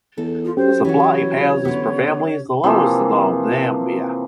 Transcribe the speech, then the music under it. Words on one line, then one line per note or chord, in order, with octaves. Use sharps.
The supply of houses per family is the lowest in all of Zambia.
E2 A4
F4
F#3 C#4 G4 C5
E3 F#4 C#5
D3 B3
C3 E3 F3 A#3